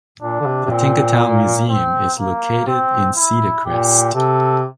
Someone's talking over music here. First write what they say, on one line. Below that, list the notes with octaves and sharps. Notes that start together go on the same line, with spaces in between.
The Tinkertown Museum is located in Cedar Crest.
A#2 D4
D3
C3
C3
A#2 C4
A#3
C4
A#3
C4
E4
A#2 G4
C3 A4